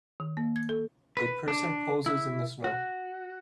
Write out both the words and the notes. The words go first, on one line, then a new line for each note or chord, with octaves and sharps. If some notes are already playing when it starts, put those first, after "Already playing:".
A person poses in the snow.
D#3
A#3
G#6
A4
B4
D4
E4
F#4